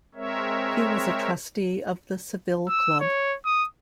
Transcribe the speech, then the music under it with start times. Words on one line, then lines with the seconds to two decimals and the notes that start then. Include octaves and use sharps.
He was a trustee of the Savile Club.
0.15 G#3 C4 A#4 C#5 E5
2.68 E6
3.00 C#5
3.45 D#6